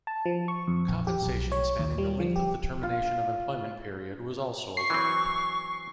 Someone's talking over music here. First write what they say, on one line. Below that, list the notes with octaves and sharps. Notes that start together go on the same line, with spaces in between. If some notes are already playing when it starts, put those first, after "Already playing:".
Compensation spanning the length of the termination of employment period was also awarded.
A5
F3
C#6
F2
A#1
G4
B1
C#5
D#2
G3
F3
G4
F4
C#6 C7
E3 F#3 C4